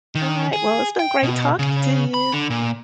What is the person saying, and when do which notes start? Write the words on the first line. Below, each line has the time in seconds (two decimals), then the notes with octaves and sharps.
Alright. Well, it's been great talking to you.
0.15 D#3
0.53 G#4
0.99 G5
1.23 B2
1.59 C#3
2.14 B5
2.32 D3
2.50 A#2